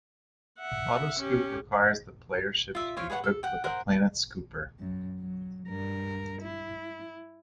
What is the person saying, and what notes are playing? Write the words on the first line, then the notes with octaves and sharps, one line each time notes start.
Autoscoop requires the player's ship to be equipped with a Planet Scooper.
E5 F#5
C#4 G4
F4 E5
C5 C#5 F5
G#4 B4 C#5 F#5
A4
F#5 G5
A#4 C5 F#5
F#2
F#3
G2 A#4
E4